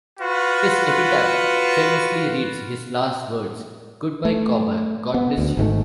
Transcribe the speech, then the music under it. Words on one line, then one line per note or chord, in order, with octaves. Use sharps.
His epitaph famously reads "His last words, Goodbye Cobber, God bless you".
F4 F#4 B4
A3
B3
D2
G#1 G#2 A3